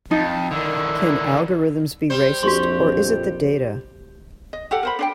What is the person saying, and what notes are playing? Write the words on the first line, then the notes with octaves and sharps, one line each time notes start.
Can algorithms be racist or is it the data?
F2 D#4 A5
D3 D#3 E4
G3 C5
A#1 F2 F#4 G4 C6
D#5
G4 A4 F#5
A#4 C5 B5
D4 C5 G5